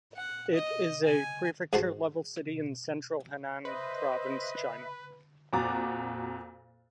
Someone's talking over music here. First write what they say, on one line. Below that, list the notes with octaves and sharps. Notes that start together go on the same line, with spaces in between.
It is a prefecture-level city in central Henan province, China.
F#5
D#5
G#5
G#2 F#4 C5 A5
B4 C5 D#5 E5
F2 A#2 F#4 A#5 D6 A6